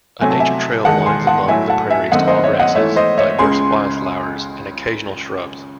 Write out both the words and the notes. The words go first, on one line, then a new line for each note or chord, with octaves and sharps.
A nature trail winds among the prairie's tall grasses, diverse wildflowers, and occasional shrubs.
C3 F#3 A3 G#5
A5
E5 G#5
E2 D#3 G#3 F#5 A5
G#5 C6
F#5 A5
A2 F#3 A3 E5 G#5
F#5 A5
E5 G#5
F#2 D#3 A3 C4 D#5 F#5
C5 D#5
C#5 E5
D#5 F#5
G#2 E3 A3 C#5 E5
C5 D#5
C#5 E5
C#2 C#3 G#3 C#4 G#5 C6